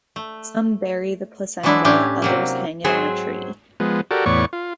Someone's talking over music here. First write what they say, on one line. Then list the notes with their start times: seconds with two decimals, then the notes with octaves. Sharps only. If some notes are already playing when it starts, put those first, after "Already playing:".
Some bury the placenta, others hang it on a tree.
0.16 A3
1.63 E3 F#3 G#3 D4 E4
1.85 A2 C#4 D4 G4
2.22 C3 F#3 A#3
2.84 G#2 F#3 C4 G#4 C5
3.80 F3 G#3 B3
4.11 F#4 G4 A4 A#4 D5
4.26 E2 A2 B3 C#5 D5 C#6
4.53 F4